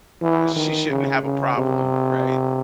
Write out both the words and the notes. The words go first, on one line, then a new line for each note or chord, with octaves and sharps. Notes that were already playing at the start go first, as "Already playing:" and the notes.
uh, she shouldn't have a problem, right?
E3
D#3
C#3
C#3
C3